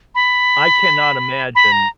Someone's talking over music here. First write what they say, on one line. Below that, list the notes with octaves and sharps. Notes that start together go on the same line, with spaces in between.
I cannot imagine
B5
B5
A#5